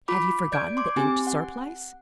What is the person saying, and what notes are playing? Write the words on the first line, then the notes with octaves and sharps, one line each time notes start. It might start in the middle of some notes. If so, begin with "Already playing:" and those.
"Have you forgotten the inked surplice?"
F4 B5 D6
D5 G6 G#6 D7
C6 D6
C4 G4 G#5
F#5